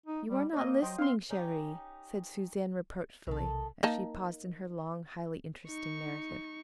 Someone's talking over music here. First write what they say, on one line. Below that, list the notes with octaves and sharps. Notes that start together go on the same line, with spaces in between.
"You are not listening, CHERIE," said Suzanne, reproachfully, as she paused in her long, highly interesting narrative.
D#4
G3
A#3 C#5 D#5
F#3 C5 D#5 G5
C4 F5 C6
C#4 D#4 G4
B1 C3 D#3 A4
A#3 D#4 A5
D#4 C#6